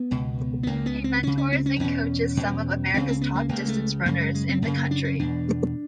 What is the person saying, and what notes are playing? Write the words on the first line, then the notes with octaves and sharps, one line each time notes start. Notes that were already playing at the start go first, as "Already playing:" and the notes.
He mentors and coaches some of America's top distance runners in the country.
Already playing: B3
C#2 B2
B3
C#2 C#3 A#3
B3
C4
C#2 C#3 C#4
C#4
C4
C#4
E2 B2 C#4
E2 B2
C#2 C#3 C4
C4
B3
A#3
C#2 C#3 A#3
A3
F#2 C#3 A#3
G#3
G#3
C4
F#2 C#3 A#3
A#3
D4
C#4
E2 B2 D4